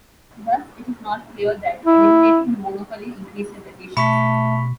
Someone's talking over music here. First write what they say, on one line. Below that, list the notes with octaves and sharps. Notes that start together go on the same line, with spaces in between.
Thus, it is not clear that eliminating the monopoly increases efficiency.
E4
B2 A3 E5 A5 B5 C#6 B6